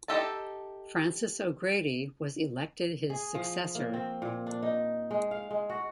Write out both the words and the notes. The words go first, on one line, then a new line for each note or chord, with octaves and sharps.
Frances O'Grady was elected his successor.
D#4 G4 A4 E5 A5
G#4
F3
A#3
C4
A#2
D4
D#4
G#3
F5
G#3
F#4